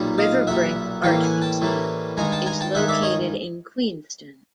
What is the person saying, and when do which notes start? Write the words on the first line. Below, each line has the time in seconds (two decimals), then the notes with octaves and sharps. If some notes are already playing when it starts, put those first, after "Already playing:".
RiverBrink Art Museum is located in Queenston.
Already playing: B1 A#2 G3
0.18 D#5 F5
0.47 B1 A#2 G3 E5 F#5
1.03 A2 E3 G3 A#3 F5 G5
1.23 F#5 G#5
1.42 G5 A5
1.61 A2 E3 G3 A#3
2.17 G2 D#3 G#3 G#5 A#5
2.32 G5 A5
2.46 G#5 A#5
2.60 G5 A5
2.75 G2 D#3 G#3 E5 F#5
2.88 D5 E5
3.03 C#5 D#5